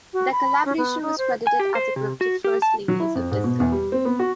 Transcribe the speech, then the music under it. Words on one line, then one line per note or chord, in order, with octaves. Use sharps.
Their collaboration was credited as a group to "First Ladies of Disco".
F#4
B5
C#4
B3
D#4
C5
G#5
G4
C5
C3
F#4
G4
A5
F#3
E4
F2
G#2
B2
E2
G3
C4
B3
F#4